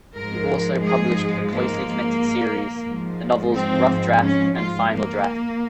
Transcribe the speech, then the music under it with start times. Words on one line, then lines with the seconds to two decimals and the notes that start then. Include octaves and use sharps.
He also published a closely connected series, the novels "Rough Draft" and "Final Draft".
0.16 G#2 F3 G#3 A#4
0.84 G#4
1.52 A#3
2.87 G#2 F3 G#3
3.55 C4
4.22 C#4
4.57 F4
4.91 A#3